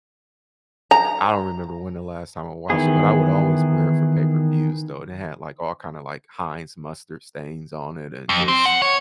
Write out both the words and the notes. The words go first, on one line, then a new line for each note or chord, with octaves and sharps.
I don't remember when the last time I watched it but I would always wear it for pay-per-views, though, and it had, like, all kinda, like, Heinz mustard stains on it and just
A#5
D#3 E3 B3 G#4
F2
C4
F#5
C#5